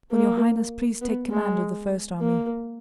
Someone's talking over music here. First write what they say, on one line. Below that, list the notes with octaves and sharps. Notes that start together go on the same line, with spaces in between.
"Will Your Highness please take command of the first army?"
A#3
B3
G#3
A#3